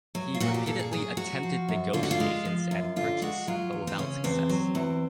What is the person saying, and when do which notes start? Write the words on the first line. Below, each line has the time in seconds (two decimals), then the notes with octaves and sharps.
He repeatedly attempted negotiations and purchase, but without success.
0.15 F#3
0.35 F4
0.40 A#2 F#4
0.54 G4
0.66 A#2 A4
0.79 G#4
0.92 F#3 G#4
1.17 F#3 F#4
1.43 F3
1.69 F#2
1.93 D3 F4
2.03 F#4
2.11 F4
2.20 G#3
2.45 F3
2.71 F#2
2.96 D3 F4
3.22 G#3 F#4
3.47 F#3 F4
3.73 E2
3.87 C4
3.99 C#3 C#4
4.24 E2 C4
4.49 F#3
4.75 E2